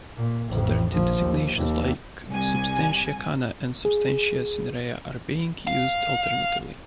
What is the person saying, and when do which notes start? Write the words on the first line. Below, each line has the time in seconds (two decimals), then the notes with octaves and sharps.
Alternative designations like "substantia cana" and "substantia cinerea" are being used alternatively.
0.17 A#2
0.48 A1 F2
0.90 A#1 F3
1.22 D#2
1.55 D#2
2.29 C2 G#5
3.85 G#4
5.67 F5